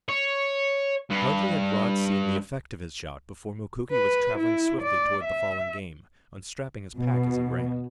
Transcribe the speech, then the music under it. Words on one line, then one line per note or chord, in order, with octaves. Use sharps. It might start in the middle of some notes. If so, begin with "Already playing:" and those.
Hardly had Rod seen the effect of his shot before Mukoki was traveling swiftly toward the fallen game, unstrapping his pack as he ran.
C#5
G2
B4
E4
D5
E5
B2